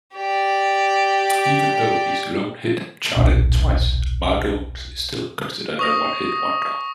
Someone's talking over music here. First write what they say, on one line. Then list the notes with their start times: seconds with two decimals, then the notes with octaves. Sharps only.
Even though his lone hit charted twice, Mardones is still considered a one-hit wonder.
0.15 G4 D5
3.16 D#1 B1 D4
5.79 C#6 D#6 A#6